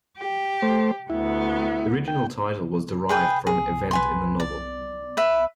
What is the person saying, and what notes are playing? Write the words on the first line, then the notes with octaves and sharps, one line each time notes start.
The original title was derived from an event in the novel.
G4
A3 C5
D2 B3 E4
G5
G#4 B4 G5
G#4
B4 G#5 C6
D5
B4 E5